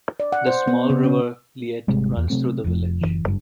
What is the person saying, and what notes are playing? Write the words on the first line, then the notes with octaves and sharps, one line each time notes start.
The small river Liette runs through the village.
D5
F#5
C5
B3
C#3
C#4
G#1 C3 G3 G#3
E2
C3 F#3 A3 C4
F1 F2
F#1 E3
F#1 G2